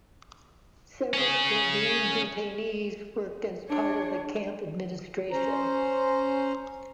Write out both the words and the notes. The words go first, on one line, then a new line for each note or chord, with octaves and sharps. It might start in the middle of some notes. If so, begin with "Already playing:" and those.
Several Slovene detainees worked as part of the camp administration.
C#4 G#4
D4 C#5
C#4 C5 A#5